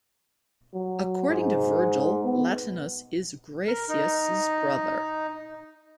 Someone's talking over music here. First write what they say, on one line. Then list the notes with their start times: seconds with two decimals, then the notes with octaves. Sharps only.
According to Virgil, Latinus is Graecus's brother.
0.73 F#3
1.29 G#2
2.24 B3
3.67 A#4
3.89 D#4